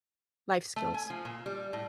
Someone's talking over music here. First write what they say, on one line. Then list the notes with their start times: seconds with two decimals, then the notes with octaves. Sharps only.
Life skills.
0.76 A3
0.94 G#5
1.10 F3
1.25 A#2
1.46 G3
1.73 A2